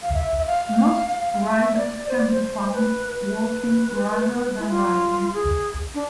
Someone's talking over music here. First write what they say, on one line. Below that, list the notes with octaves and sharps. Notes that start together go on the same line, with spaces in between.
Most riders can be found walking rather than riding.
F5
E5
E5
F5
F5
E5
D5
C5
D5
C5
B4
B4
E4
F4
G#4
D4